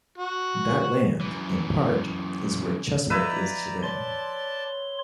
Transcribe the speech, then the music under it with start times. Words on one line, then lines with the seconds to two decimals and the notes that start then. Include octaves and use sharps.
That land, in part, is where Cheswick is today.
0.18 F#4
1.21 F#2 E3
3.10 F3 B4 D5 E5 A#5 G6 G#6
3.83 C#5 D5 A5 C6